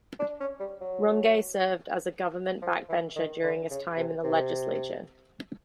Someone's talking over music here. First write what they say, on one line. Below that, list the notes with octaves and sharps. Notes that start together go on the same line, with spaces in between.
Rungay served as a government backbencher during his time in the legislature.
D4
C#4
G3
F#3
F3
E3
D#3
D3
C#3
C3
C3